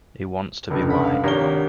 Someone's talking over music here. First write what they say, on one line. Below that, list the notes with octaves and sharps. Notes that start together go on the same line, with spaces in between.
He wants to be white.
F1 C#2 G2
F#5 B5
F5
G#1 D4 G4 A#4 C#5 G7